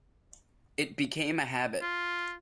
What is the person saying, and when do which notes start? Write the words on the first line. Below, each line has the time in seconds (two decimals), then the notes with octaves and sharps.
It became a habit.
1.82 F4